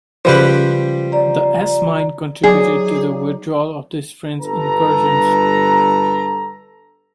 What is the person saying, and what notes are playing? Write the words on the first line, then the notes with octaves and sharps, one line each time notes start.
The S-mine contributed to the withdrawal of these French incursions.
C#3 F3 G3 G4 B4 C5
D5 A#5
F#3 D#4 G#4 D5
G1 G2 A4 B4 A#5